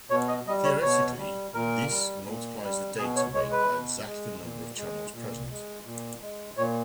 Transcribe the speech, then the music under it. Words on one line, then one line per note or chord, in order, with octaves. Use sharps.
Theoretically this multiplies the data rate by exactly the number of channels present.
B2 C#5
D#5
G3 D#5
C#5
B2 C#5
G3
A#2 A#4
G3
A#2
G3
B2 G#4
C#5
G#3 C#5
B4
B2
G#3
A#2
G#3
A#2
G#3
A#2
G#3
A#2 C#5